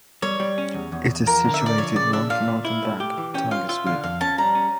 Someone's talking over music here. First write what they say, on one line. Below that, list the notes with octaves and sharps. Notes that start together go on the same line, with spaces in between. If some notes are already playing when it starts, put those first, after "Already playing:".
It is situated along the northern bank of the Tagus River.
G3 C#5
G3
C#4
E2
E2
E2
F3 A#4
D3
E5
D3
D5
F3 C#5
C#3 D5
D4 E5
A#2 F5
A#2
E4
A3
G4
E3
C#4 G5
F4 F5
F4 E5
D3 F5
F2 F5
C#4 A5
G3 A#5
C#4